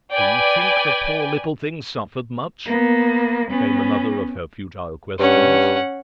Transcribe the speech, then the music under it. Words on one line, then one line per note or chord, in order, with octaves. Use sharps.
'Do you think the poor little thing suffered much?' came another of her futile questions.
B4 D5 G5 G#5
A#3 B3
B3 C#4
G2 C#4 F#5